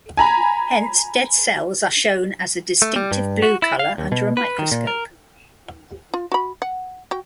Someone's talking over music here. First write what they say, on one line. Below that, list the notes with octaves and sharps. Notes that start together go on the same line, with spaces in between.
Hence, dead cells are shown as a distinctive blue colour under a microscope.
G#5 A#5 B5
A3
G3
G2
F#4
E4
F5
D#2
B2
B4
D#3
A#2
A#4
F4
F#4 B5
F#5
F#4 G5